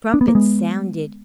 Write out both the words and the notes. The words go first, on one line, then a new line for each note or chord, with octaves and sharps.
Trumpets sounded.
D4
B3
A#3
G#3 B3